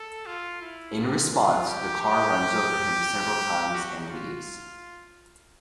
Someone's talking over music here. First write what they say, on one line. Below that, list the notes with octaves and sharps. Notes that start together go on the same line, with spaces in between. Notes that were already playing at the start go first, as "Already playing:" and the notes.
In response, the car runs over him several times and leaves.
Already playing: A4
F4
E4
F4
F4
G4
G4
F#4
F4